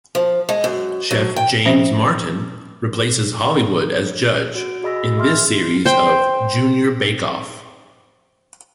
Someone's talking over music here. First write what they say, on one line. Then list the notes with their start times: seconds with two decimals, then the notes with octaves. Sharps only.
Chef James Martin replaces Hollywood as judge in this series of "Junior Bake Off".
0.15 F3
0.49 G#3
0.64 F#2
1.11 F#3
1.36 G5
1.66 F3 C#4 C5 E5
4.55 F#4 D7
4.83 F#4 G#4 D#5 B5 E6 A#6
5.17 G#4 E5 C6 F6
5.86 C5 G5